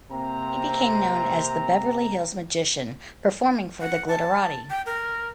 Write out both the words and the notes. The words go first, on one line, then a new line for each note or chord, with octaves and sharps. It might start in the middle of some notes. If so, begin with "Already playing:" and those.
He became known as the "Beverly Hills Magician" performing for the Glitterati.
C3 A#3 C4 A#5
F#5
A5
G5
A#4